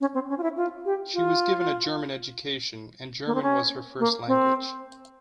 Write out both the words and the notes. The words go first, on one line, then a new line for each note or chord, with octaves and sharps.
She was given a German education, and German was her first language.
C#4
C4
C#4
F4
E4
F4
G4
F4
A#3
C4
C#4
A#3
C4